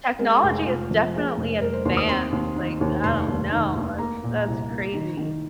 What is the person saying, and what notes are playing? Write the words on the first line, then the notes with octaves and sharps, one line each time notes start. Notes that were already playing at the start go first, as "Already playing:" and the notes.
technology is definitely advanced, like, I don't know, it's that's crazy.
G#3 A#4
F1 G#4
F1 F4
F3
A#3 G#4
F1
F1 A#4
C5
D#2 C6
D#6
C4 C6
D#2
D#3
D#2
F1 C6
D#2
D#3
D#2
A#3 A#5
A#2
C2
A#3
D#3
D#3